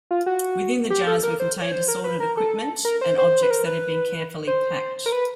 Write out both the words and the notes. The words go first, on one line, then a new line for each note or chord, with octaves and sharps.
Within the jars were contained assorted equipment and objects that had been carefully packed.
F4
F#4
G4
A4
A#4
C5
C#5
C5
A#4
B4
A#4
A4
A#4
C5
C5
B4
A#4
B4
C5
A#4
B4